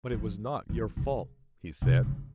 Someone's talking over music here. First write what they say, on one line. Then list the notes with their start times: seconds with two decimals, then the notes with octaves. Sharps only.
"But it was not your fault," he said.
0.12 F3
0.69 E3
0.97 C#3
1.82 C3
2.03 C#3